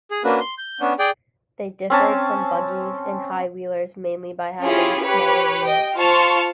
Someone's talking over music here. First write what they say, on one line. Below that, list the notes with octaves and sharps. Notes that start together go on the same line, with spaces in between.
They differed from buggies and high wheelers mainly by having smaller wheels.
G#4
A#3 C#4 D4 F#4 B4
C6
G6
B3 C#4 D4
G#4 D5 G5
C4 C#4 A5
C#4 E4 F4 G4 G#4
G4 B4 C#5
D#5 G5
F4 C5 A5 C6 C#6 F6